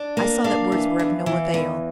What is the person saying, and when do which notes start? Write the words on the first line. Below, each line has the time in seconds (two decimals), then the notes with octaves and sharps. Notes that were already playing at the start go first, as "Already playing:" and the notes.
I saw that words were of no avail.
Already playing: D4
0.17 A#3
0.44 D4 F5
0.72 E3
0.99 E2
1.26 E3
1.54 E2